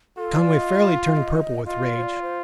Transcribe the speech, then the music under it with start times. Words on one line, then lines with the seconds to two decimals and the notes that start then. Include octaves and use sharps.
Conway fairly turned purple with rage.
0.17 F4 A4
0.36 D5
0.55 D#5
0.82 D#5
0.92 F5
1.04 F5
1.16 D#5
1.66 F4 D#5
1.85 D5
1.98 C5
2.03 D5
2.22 C5